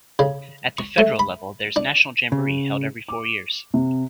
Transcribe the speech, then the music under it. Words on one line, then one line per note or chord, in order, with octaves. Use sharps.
At the federal level there's national jamboree, held every four years.
C#3
C#6
A3
B5
D4
C#3
D6
C3